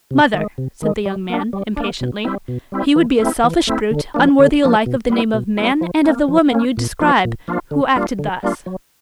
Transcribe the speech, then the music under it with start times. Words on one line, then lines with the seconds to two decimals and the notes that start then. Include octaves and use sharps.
'Mother,' said the young man, impatiently, 'he would be a selfish brute, unworthy alike of the name of man and of the woman you describe, who acted thus.'
0.11 C3
0.34 D#3 G#3
0.58 C3
0.82 D#3 G#3
1.06 G3
1.30 A#3 D4
1.53 G3
1.77 A#3 D4
2.01 B2
2.25 G3 C4 E4
2.48 B2
2.72 G3 C4 E4
2.96 E3
3.20 A3 C4 E4
3.44 E3
3.67 A3 C4 E4
3.91 D3
4.14 F3 A#3 D4
4.39 D3
4.63 F3 A#3 D4
4.86 B2
5.10 G3 B3 E4
5.34 B2
5.57 G3 B3 E4
5.81 F3
6.05 A#3 C#4
6.28 F3
6.52 A#3 C#4
6.77 A#2
7.00 F3 A#3 D4 F4
7.25 A#2
7.48 F3 A#3 D4 F4
7.71 D3
7.96 G3 A#3 D4 F4
8.19 D3
8.43 G3 A#3 D4 F4
8.66 F#3